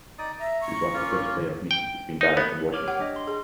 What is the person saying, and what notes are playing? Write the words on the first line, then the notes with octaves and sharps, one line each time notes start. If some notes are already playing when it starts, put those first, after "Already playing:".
This was the first playoff meeting between Dallas and Washington.
D#4 D5 D#6
E5 A#5
C#6
A#3 C#4 F4
G5
D#4
B3
C#5 D6 F6
G4 F#5
D4 D#5
C6
G#4